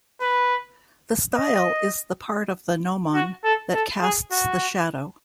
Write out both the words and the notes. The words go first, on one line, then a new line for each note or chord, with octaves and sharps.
The style is the part of the gnomon that casts the shadow.
B4
D#5
F#4
A4
A4
G#4
F#4